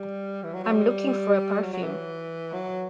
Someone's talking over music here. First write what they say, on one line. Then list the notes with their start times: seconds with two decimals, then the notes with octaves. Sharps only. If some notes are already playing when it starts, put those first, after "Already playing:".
I’m looking for a perfume.
Already playing: G3
0.44 E3
0.54 F#3
0.64 F#3
0.74 G3
1.63 F#3
1.73 F#3
1.83 E3
2.54 F#3